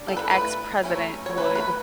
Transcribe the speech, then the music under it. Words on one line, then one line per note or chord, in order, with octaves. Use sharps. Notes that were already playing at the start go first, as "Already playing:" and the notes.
like, ex-president would
Already playing: G3 D4
A4
B4
A3 E4 B4
F#3 A3 C#4 E4
C#5
F#3 A3 C#4 E4 B4
B4